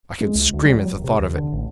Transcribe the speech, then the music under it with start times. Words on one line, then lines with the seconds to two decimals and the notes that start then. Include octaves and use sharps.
I could scream at the thought of it.
0.20 G#3
0.35 C#2
0.53 D2
0.65 G3
0.79 F#3
0.93 D#1
1.04 C3
1.20 D#2
1.36 D3
1.52 A1